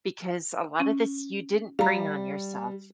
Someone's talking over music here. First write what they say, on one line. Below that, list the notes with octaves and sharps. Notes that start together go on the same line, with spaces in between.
because a lot of this you didn't bring on yourself.
C#4
G3 F5 A#5